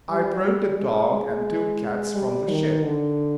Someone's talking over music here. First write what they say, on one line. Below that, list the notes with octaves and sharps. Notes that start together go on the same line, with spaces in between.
I brought the dog and two cats from the ship.
G3
G3
G#3
G#3
G3
D#3
D3